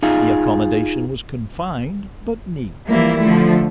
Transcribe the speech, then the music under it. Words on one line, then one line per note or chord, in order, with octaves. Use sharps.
The accommodation was confined, but neat.
D#4 F4 G#4 F5
E3 F3 G3 A#3 E4
D3 F3 A3